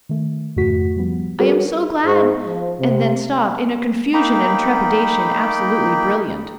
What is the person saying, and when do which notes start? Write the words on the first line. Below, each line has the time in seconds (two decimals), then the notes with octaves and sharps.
"I am so glad--" and then stopped, in a confusion and trepidation absolutely brilliant.
0.09 D#3 A3
0.56 F2 G#2 C#3 A3 F#4 B6
0.96 F3 G3 B3
1.39 G3 F#4 G#4 A#4 B4 C#5
2.05 G#2
2.46 F3
2.80 C3
4.14 A#3 D#4 G5 B5